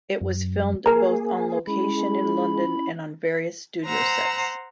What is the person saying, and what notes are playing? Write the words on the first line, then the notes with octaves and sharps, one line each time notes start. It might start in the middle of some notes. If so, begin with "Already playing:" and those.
It was filmed both on location in London and on various studio sets.
F#2
A#3 G#4 A#4 A#5
G#3 C#4 E4 B5
C5 F#5 A#5 E6